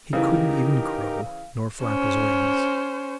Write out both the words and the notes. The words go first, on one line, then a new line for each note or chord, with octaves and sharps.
He couldn't even crow, nor flap his wings.
C#3 E3 D#4 G4 A#4
C#4 C5